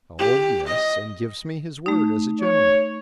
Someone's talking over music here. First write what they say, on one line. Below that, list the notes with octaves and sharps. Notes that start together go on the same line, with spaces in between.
"Oh, yes; and gives me his word as a gentleman."
G4
D#5
A3 D#4
C#5